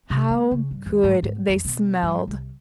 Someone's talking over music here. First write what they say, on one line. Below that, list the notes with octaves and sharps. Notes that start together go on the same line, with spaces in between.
How good they smelled!
C3
A3
C#3
G2
D#2
G#2
G#2
F2
B2
G2
C2